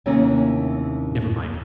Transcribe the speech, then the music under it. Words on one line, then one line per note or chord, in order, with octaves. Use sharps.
Never mind.
D#2 C3 E3 A3 A#3 C#4